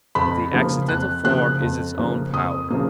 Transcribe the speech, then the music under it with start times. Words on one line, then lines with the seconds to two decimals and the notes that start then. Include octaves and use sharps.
But the accidental form is its own power.
0.15 F2 B5
0.52 C#3 F3 A#3
0.88 F2 F#6
1.25 C#3 F3 A#3 F#6
1.61 F2
1.97 C#3 F3 A#3
2.34 F2 D#6
2.70 C#3 F3 A#3